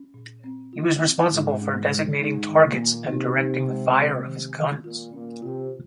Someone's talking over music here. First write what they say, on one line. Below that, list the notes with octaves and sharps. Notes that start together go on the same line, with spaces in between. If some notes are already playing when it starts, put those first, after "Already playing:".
He was responsible for designating targets and directing the fire of his guns.
Already playing: C#4
A#2
C4
F4
C4
G#2 F4
C#4
G#3
G#2 D#4
D#3
A#2
A#3
C3 D#4
D#4
G#3
G#3
D#3
D#3
A#2 F4
A#2 C#4
C3 F4